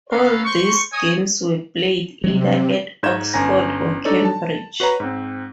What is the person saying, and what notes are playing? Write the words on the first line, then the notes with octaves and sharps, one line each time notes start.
All these games were played either at Oxford or Cambridge.
C#4 A4 B4 F5 A#5
C5 C6 C#6
C#5 D#5 G#5 D#6
C3 F#3 G#3
G#2 D#4 G6 G#6 E7
G1 C#4 G#5 A#5 A#6
D4 D#4 A4 C#5 D5
A5
F#4 B4 C#5 A#5
G#2 C4